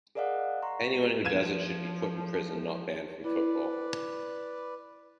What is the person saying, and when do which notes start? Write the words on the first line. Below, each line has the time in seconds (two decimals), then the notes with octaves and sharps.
Anyone who does it should be put in prison - not banned from football.
0.15 G#4 A#4 D5 D#5 F5 F#5
0.62 A#5 C6 C#6
1.25 F3 G#6 D#7 E7
3.24 E4 B4 D5